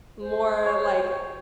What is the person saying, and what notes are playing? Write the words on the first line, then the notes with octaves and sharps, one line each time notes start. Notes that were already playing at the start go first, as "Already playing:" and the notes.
more like a
C5
C#5